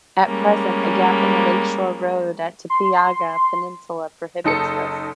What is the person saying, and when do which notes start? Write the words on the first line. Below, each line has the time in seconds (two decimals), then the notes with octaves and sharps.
At present a gap in the lake shore road at Tepeyaga peninsula prohibits this.
0.25 G3 G#3 A#3 C#4
2.70 C6
4.44 F#1 D#4 A4 C#7